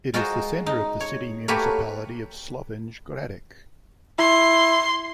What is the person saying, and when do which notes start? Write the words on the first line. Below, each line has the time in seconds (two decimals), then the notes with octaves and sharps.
It is the centre of the City Municipality of Slovenj Gradec.
0.14 G#3 F4 F#4 A#4 C5 D#5
0.66 D#4
1.00 C#5
1.48 A3 A#3 F#4 G4 B4 C#5
4.19 E4 C6